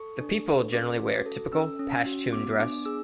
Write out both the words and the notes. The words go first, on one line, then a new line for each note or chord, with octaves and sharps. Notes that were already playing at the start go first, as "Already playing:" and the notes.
The people generally wear typical pashtoon dress.
Already playing: A4 C#6
D4
A4
C#4 D6
F#4
A4
C#4 E6
C#4
F#4
B3 D6
D4 D6
G#4 E6